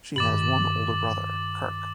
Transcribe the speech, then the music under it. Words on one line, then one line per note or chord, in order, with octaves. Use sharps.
She has one older brother, Kirk.
G2 D#3 D6 A6 F#7